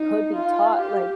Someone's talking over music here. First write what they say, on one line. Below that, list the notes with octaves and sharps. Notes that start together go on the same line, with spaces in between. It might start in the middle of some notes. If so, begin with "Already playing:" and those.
could be taught, like,
Already playing: D#4
F4
G4